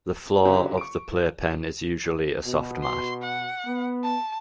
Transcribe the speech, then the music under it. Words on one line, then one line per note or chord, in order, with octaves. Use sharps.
The floor of the playpen is usually a soft mat.
C#2 D3 F#3 G4 C5 A#5
C#6 D7
F4
B2
C6
F#5
B3
A5